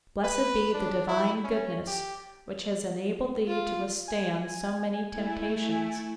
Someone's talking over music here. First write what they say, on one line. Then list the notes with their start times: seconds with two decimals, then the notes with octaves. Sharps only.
Blessed be the Divine goodness, which has enabled thee to withstand so many temptations!
0.24 B4
0.73 D4
1.07 E4
1.43 C#4
1.87 G4
3.48 F4
4.08 G#5
5.12 A3 E4